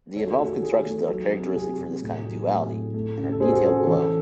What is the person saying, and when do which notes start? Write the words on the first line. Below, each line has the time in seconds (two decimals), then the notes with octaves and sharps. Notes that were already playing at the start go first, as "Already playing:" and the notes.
The involved constructions are characteristic for this kind of duality, and are detailed below.
0.16 D#3 A4 C#5
0.26 F#4
0.32 G#4
0.39 A3
0.47 F#4 A4
0.62 D#3 G#4
0.86 A3
1.09 F#3
1.32 C3
1.55 C3 G#4
1.78 C3
2.02 A2
2.25 F#3
2.48 A2
2.71 A2
2.94 A3
3.18 C#3
3.32 A4
3.40 A3 G#4 C5
3.52 F#4 A4
3.63 C#3 G#4
3.75 F#4 A4
3.87 E3 A4 C#5